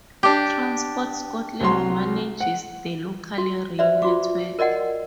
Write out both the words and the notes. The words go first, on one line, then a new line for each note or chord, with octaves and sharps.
Transport Scotland manages the local rail network.
D4 G4
C2 F#3 C6
F#5
F#4
B4 C5 D5 E5
F4 F#4 D6
A#4 D5 D#5 F#5 G5